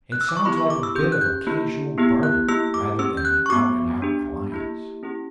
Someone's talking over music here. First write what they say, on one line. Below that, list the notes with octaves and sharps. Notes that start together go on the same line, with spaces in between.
It sounds like a bit of occasional barter, rather than an out-and-out alliance.
F#6
E6
D6
C#6
B3 E4 G4 B5
C#6
D6
E6
C#4 G4 G6
F#6
G6
A#3 E4 G4
B3 E4 G4
F#6
A#3 E4 G4 E6
D6
C#4 G4 E6
G6
F#6
C#6
B3 F#4 D6
B3 D4 G4
A#3 E4 G4
C#4 E4 G4